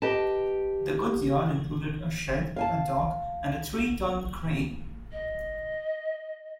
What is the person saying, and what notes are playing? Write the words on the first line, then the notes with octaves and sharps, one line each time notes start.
The goods yard included a shed, a dock and a three-ton crane.
G4 B4 D#5 A5
F5 G#5 A5
D#5